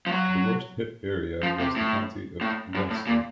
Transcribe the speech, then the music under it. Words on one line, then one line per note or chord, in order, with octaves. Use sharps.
The worst hit area was the county of Ventzia.
F3
F#3
F3
C3
A2
A2
F#2
A2
A#2